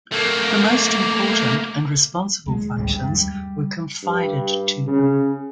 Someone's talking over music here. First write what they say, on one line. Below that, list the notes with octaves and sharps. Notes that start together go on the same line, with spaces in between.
The most important and responsible functions were confided to him.
A3 A#3
D#2 G#3
A1 D2 G3
G2
G3
G2
C#3